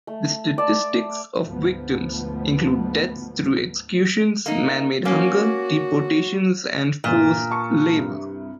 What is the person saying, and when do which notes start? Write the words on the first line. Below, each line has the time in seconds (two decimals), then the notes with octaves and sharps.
The statistics of victims include deaths through executions, man-made hunger, deportations, and forced labor.
0.07 A3
0.58 D5 A5
1.43 D2 G#2 F3 B3
4.46 A#3 D#4
5.05 A#3 C#4 F#4
7.04 G1 E2 A#2
7.51 A5 C#6 C#7
7.93 C2 G2